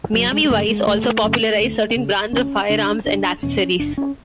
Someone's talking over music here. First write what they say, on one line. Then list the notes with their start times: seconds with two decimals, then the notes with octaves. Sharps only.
"Miami Vice" also popularized certain brands of firearms and accessories.
0.13 F#1 F#3
0.33 G#3
0.44 G#3
0.50 F#2 C#3 A3
0.69 G#3
0.86 F#1 A3
1.23 F#2 C#3
1.60 D2
1.96 C#3
2.33 D2 C#4
2.70 C#3 D4
3.06 F#1 D4
3.43 E2 B2 C#4
3.80 F#1 D4
3.98 C#4